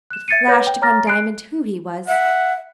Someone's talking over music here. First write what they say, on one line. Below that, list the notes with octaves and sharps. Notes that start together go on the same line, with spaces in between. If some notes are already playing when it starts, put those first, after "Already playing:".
It flashed upon Diamond who he was.
F#6 E7
E5 G#6 A6 C7 C#7 D#7
B4 C#5 F#5 G6 G#6 A#6
G5
C#5 A#5 D6 F6 A6 A#6
F#6 C7 D7
E5 F#5